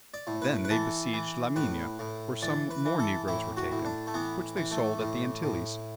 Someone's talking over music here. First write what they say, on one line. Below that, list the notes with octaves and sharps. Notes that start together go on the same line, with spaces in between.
Then they besieged La Mina, where some more negroes were taken, which they sold at the Antilles.
D5
A2
B4
B4
E3 A4
E3
A2 B4
A2
E3 D5
B4
E3
A4
A2 E4
F#4
A2
D4
A3
E3 B3
E3
A3
A2
A2